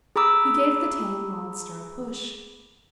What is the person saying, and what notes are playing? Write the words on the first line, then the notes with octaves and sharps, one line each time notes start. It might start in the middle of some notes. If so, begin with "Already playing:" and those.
He gave the tame monster a push.
G#4 A#5 B5 D6 E6